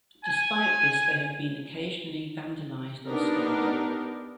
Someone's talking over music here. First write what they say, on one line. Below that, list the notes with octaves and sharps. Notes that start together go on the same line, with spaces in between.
Despite this they have been occasionally vandalised or stolen.
G#5
B3 D4 D#4 G4 A#4